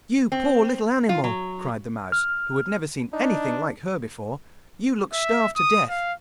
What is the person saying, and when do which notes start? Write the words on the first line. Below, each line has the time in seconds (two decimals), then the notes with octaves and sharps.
'You poor little animal,' cried the mouse, who had never seen anything like her before, 'you look starved to death!
0.32 C4
1.09 F4
1.24 F#3
2.12 F6
3.13 D4 D#4
5.13 E5
5.56 D#6
5.90 F5